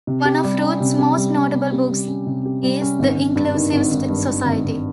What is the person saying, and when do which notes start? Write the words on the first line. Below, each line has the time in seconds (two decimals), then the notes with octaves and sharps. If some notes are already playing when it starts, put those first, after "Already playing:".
One of Ruth's most notable books is The Inclusive Society?
0.07 C3
0.25 G4
0.44 G3
0.62 C#4
0.80 C3
0.99 G4
1.17 G3
1.35 C#4
1.54 C3
1.72 G4
1.90 G3
2.08 C#4
2.27 C3
2.45 G4
2.63 G3
2.82 C#4
2.99 G#1
3.17 G#1
3.35 G2
3.55 D#3
3.72 G#1
3.91 G#1
4.09 G2
4.27 D#3
4.45 G#1
4.64 G#1